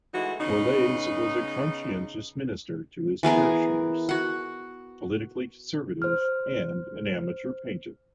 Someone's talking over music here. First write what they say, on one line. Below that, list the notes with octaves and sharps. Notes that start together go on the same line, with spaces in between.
Borlase was a conscientious minister to his parishioners, politically conservative, and an amateur painter.
E3 G#3 A3 D#4 F#4
C#3 B3 D#4
E3 B3 G#4 A#4
F#4 F#5
C5 F6